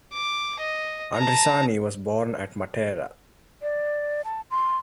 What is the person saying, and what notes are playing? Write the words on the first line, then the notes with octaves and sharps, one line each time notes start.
Andrisani was born at Matera.
D6
D#5
A5 A#5
D5
A5
C6